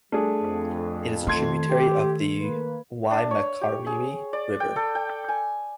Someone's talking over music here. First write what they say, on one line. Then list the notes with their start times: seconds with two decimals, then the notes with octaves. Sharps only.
It is a tributary of the Waimakariri River.
0.12 G3 A3 D4 G#4
0.42 F2
1.27 D#3 A3 C6 G#6
1.70 G4
2.41 A#3 B4
3.11 D4
3.31 C#5
3.61 G4
3.86 G#4
4.33 D5
4.60 G5
4.76 A4
4.95 G5
5.29 G#5